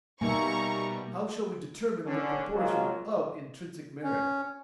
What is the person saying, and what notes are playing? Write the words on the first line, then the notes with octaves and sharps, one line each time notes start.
How shall we determine the proportion of intrinsick merit?
B2 G3 A#3 D#4 E5 G#5 A#5 C#6
D3 C#4
F3 F#3 G#3 A#3 F4 F#4
C#4